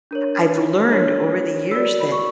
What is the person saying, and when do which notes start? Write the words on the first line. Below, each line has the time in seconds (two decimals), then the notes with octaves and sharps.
I've learned over the years that
0.11 D4 A#4 C#5
0.91 D4 A#4 C#5
1.71 F#4 A#4 D5 E6
2.00 B5
2.12 C#6